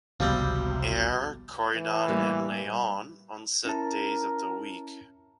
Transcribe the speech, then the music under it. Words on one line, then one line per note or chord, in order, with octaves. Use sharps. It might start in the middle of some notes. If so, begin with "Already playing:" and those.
Ayr, Corydon, and Leon on set days of the week.
G#1 C#2 C3 F3 G3 B3 C4 F#4
E3
A2 G3 A#3
C#4 E4 A#4 A5